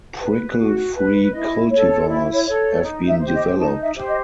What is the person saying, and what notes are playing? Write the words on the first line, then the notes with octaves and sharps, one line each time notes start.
Prickle-free cultivars have been developed.
B4
F#4
B4
E4 D#5
A4 C#5
E4 D5
C#5
A4 C#5
D#4
E5
G4 C5
D#5
D#4 A5
E5
G4 C5
D#5